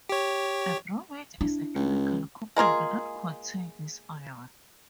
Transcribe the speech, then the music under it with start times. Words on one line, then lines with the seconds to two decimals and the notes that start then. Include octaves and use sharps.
A bromate is a chemical compound that contains this ion.
0.09 G4 C#5
1.41 D4 E4
1.75 C#2
2.56 G#3 A#3 F4 G#4